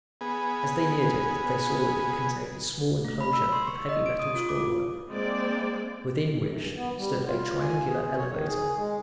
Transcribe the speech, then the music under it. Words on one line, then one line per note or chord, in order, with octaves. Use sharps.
As they neared it they saw that it contained a small enclosure of heavy metal scrollwork, within which stood a triangular elevator.
B3 G#4
A3
B5
E6
C6
C#6
D#5
D7
D#6
F4
D6
G#3 A#3 C4 D5
F#2
G2
B3
G3
F4
G#5
G#4
C#5
D#3
G#4
G#3